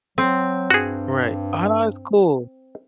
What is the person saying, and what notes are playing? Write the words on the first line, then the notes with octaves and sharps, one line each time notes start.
Right, ah, that's cool.
F#3 C4
G2 F#4 G#4